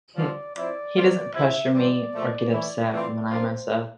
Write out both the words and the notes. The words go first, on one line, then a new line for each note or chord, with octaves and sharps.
He doesn't pressure me or get upset when I mess up.
G2 D3 F3 C4 F4 D5
F3 C4 E4 D5
F3 C4 F4
C3 F3 C4 E4 E5
C3 E3 G3 C4 D5
A#2 F3 A3
E3 A3 E4 D5
A2 E3 A3 C4 F4
F3 A#3 D4 F4 C5